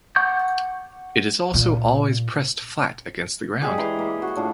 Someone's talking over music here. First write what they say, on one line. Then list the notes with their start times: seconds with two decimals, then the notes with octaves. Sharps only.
It is also always pressed flat against the ground.
0.16 F#5 C#6 D6 G6
1.54 A#2
3.61 G#3 G4 G#4 D5
3.78 E3 A#5 C6
3.99 A#3
4.22 F#4
4.36 A2 D4 F4